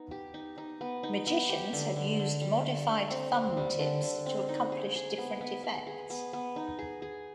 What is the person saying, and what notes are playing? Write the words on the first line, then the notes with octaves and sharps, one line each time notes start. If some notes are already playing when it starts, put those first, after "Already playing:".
Magicians have used modified thumb tips to accomplish different effects.
Already playing: B3 D#4
G4
D#4
D#4
B3
D#4
B3
G4
D3
D3
D3
G3
D3
D3
C4
C4
G3
D3
D3
C4
D#4
G#4
G#4
B3
B3
B3
G#4
B3
B3
D#4
G#4
G#4